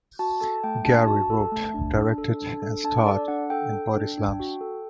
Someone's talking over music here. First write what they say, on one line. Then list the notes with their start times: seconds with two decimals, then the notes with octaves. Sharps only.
Gary wrote, directed and starred in Bodyslams!
0.19 F#4 A5
0.40 A4 A5
0.64 A3 G5
0.85 D4 A5
1.07 F#4 A5
1.30 A4
1.52 A3
1.74 D4
1.95 D4
2.18 A4
2.41 D4
2.62 A4
2.84 D4 A5
3.07 A4 D5
3.28 D4 F#5
3.50 A4 G5
3.73 A4
3.95 D4
4.18 D4
4.40 F#4
4.61 A4